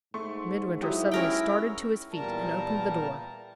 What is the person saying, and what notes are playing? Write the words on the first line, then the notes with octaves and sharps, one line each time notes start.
Midwinter suddenly started to his feet, and opened the door.
G#2 A3 C6 C#6
F#3 E4 G4 D#6
C#4 A#4 G5
E2 A#2 G3 A#4 A5 A#5